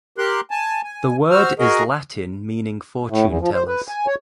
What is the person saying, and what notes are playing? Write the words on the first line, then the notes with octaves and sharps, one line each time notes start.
The word is Latin meaning fortune tellers.
G4 A#4 C6 F#6
G#5 A5
G#5
F#4 C5 E6 F6
F#4 G#4 A#4 D#5
A2
E2
F3
C5
B4
G#5
C#5